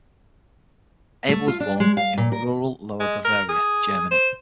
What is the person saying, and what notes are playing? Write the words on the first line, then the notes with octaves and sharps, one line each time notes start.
Abel was born in rural Lower Bavaria, Germany.
A3
F4
D4
G#3
F5
A#2
A#4
G#3
A#4
G#4
C5